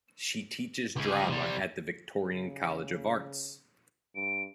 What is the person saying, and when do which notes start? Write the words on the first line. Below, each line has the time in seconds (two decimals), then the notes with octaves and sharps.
She teaches drama at the Victorian College of Arts.
0.96 C#2 G#4
1.29 C3 G3
2.30 C#3
4.15 G2 D7